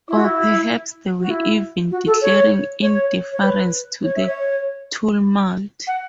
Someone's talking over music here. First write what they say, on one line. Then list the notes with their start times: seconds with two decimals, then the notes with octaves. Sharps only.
Or perhaps they were even declaring indifference to the tumult.
0.09 E4
0.17 F#4
0.25 E4
1.20 F#4
1.30 E4
1.91 F#4
2.06 A4
2.22 C#5
2.82 C#5
3.32 C#5
3.44 B4
4.04 C#5
4.16 E5
4.26 C#5
5.87 F#5